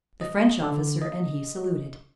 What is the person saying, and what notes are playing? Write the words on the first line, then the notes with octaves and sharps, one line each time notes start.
The French officer and he saluted.
D#5
D3
D#5